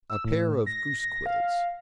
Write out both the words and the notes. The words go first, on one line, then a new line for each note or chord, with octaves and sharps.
"A pair of goose-quills."
E6
A2
A#6
F5